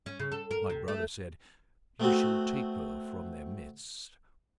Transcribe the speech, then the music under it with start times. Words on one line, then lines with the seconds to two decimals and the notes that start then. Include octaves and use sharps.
My brother said, 'You shall take her from their midst.
0.06 C#4
0.19 C#3
0.32 A4
0.51 A#4
0.70 C3
0.88 A3
2.00 A3 B3 C4 F#4